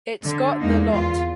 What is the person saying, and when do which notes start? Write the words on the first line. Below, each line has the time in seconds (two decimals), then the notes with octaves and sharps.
It’s got the lot.
0.24 D3
0.59 E2 G#3 A#3 D#4
0.90 E2 F4